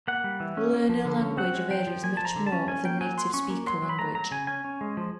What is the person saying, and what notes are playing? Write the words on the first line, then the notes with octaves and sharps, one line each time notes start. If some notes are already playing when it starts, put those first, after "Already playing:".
Learner language varies much more than native-speaker language.
A#3 F#5
G3
E3
C#4
A#3
F3
D3
C#4
C4 F#5
G#3
F3 G5
F3
A#3 G#5
F3 A5
A#5
D3
A5
C#4
C#4 G#5
A#3 G5
F#3 G#5
F#3 C6
C#4 C#6
A#3
F#3 C6
F#3
B5
A3 A#5
F#3 A#5
C#3 G#5
C#4 G#5
C#4
G#3
F3